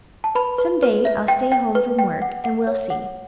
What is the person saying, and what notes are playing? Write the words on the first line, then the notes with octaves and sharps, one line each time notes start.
"Some day I'll stay home from work, and we'll see."
A5
B4 B5
B4
B4
E5
G5
G5
B4
G5
F#5
F#5
C#5
F#5